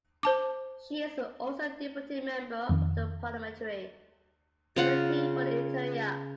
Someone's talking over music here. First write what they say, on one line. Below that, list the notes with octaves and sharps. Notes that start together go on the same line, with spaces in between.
She is also a deputy member of the parliamentary Committee for the Interior.
C5 A5 D6
F2 D#3
C#3 F4 F#5